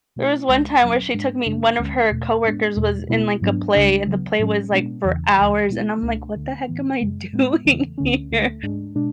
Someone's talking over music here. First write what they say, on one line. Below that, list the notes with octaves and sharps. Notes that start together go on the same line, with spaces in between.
there was one time where she took me one of her coworkers was in, like, a play, and the play was, like, for hours, and I'm like, "What the heck am I doing here,"
B2 A3 E4
C#2 C#3 G#3
E2 B2 F#3 C#4
G#2 G#3 D4
F#2 C#3 G#3 D4
D2 D3 G#3 C#4
E2 B2 A3
A2 G#3 B3 D4
E2 B2 G#3
B2 G#3 B3 E4
G#2 F#3 B3 D4
C#2 C#3 G#3 D4
C#3 F#3 B3
A2 F#3 C#4
B2 G#3 B3 D4
E2 C#3 E3
D2 C#3 E3 G#3
B2 G#3 B3 E4
C#2 B2 A3 D4
D2 D3 A3
A2 E3 B3
F#2 C#3 G#3
A2 G#3 B3
E2 C#3 E3 A3
D2 D3 A3 C#4
D2 D3 A3
G#2 G#3 D4
B2 G#3 D4